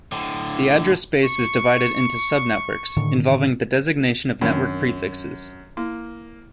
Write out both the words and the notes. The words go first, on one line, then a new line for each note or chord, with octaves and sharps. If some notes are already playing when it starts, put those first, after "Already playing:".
The address space is divided into subnetworks, involving the designation of network prefixes.
A2 D3
C#6
A2 D3 D#3
F#2 D#3 C4 D4
A#3 E4